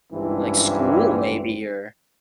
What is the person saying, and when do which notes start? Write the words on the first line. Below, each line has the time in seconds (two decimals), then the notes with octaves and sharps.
Like, school maybe or
0.12 G#1 C#2 G2 E3 C4 E4